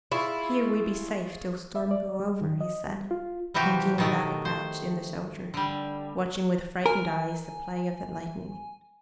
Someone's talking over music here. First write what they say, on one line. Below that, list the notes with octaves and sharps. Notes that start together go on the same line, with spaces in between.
"Here we be safe till storm go over," he said, and Jean gladly crouched in the shelter, watching with frightened eyes the play of the lightning.
E4 F4 G#4 C#6
E5
D5
G3
D#3
D#5
G3
F4
C3 E3 F3 F#4 G4
B2 D#3 A3
C5
D3 G3
A#4 G#5